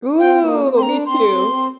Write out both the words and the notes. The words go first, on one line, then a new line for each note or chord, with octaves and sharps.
Ooh, me too.
C4 G5
A#3
C4
C4 C6
D4 A#5
C4 C6
C4
C4